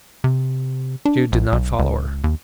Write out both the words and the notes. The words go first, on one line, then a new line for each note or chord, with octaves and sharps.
Jude did not follow her.
C3
D4
A#1
B1
C#2
D#2